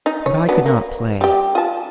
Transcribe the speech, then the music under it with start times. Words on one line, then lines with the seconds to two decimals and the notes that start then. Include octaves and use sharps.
But I could not play.
0.06 D#4
0.26 C#5
0.49 F#3 B3 D4
0.66 A#3
1.21 G3 G4
1.55 F4 A5